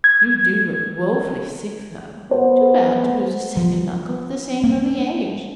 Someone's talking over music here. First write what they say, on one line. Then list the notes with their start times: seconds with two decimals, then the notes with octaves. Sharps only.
You do look wofully sick though; too bad to lose a second uncle at the same early age.
0.04 G#6
2.31 B3 C5
3.57 F3
4.64 A#3